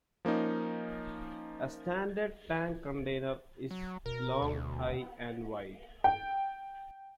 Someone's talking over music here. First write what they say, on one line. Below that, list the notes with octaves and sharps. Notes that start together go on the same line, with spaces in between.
A standard tank container is long, high and wide.
F3 A#3 C#4 D#4
F#3
B2 A#4
D2
G5